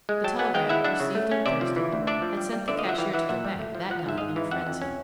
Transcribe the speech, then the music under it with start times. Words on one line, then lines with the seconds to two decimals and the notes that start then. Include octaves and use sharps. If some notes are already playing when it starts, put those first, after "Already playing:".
The telegram, received on Thursday, had sent the cashier to the bank that night in a frenzy.
0.09 G#3
0.24 F#3 G5 A5
0.39 B3 F#5 G#5
0.54 G#3 F5 G5
0.69 E4 E5 F#5
0.84 D4 E5 F#5
1.00 C#3
1.15 A3
1.31 C#4
1.46 C3 D5 E5
1.61 F3
1.76 E3
1.92 D2
2.07 D4 D5 E5
2.22 F3
2.37 G3
2.53 G3
2.68 D3 D5 E5
2.79 D#5 F5
2.84 F3
2.89 E5 F#5
2.98 E3 F5 G5
3.13 E3 E5 F#5
3.29 A#2 E5 F#5
3.45 G3
3.59 A3
3.75 F3
3.90 F3 F#5
3.99 F5
4.06 G#2 E5
4.18 G#2 D#5 F5
4.36 E3
4.51 F2 E5 F#5
4.67 F2
4.82 C#4